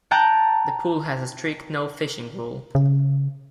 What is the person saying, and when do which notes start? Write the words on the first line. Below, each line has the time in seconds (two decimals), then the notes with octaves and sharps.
The pool has a strict no fishing rule.
0.11 G5 A5 A#5 F#6 A6 D7
2.75 C#3